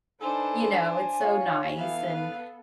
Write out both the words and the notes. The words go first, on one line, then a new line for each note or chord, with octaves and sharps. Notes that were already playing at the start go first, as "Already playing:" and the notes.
you know, it's so nice, and,
D4 D#4 A4 B4 C5 G#5
F4 C#5
E3 B3 A4 F5
B4